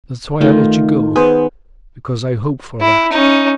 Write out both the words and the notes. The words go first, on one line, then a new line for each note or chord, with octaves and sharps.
That's why I let you go, because I hope for that.
D#3 A3 F4
B3 G#4 C5
E4
C#4 D#4